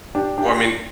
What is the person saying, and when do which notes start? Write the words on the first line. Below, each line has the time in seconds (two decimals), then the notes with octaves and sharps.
well I mean,
0.15 D4 G4
0.38 D4 G4